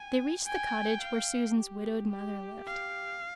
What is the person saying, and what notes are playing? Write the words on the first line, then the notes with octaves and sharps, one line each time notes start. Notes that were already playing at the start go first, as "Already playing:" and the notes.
They reached the cottage where Susan's widowed mother lived.
Already playing: G5 G#5
G5 G#5
F5
G4
G4
F5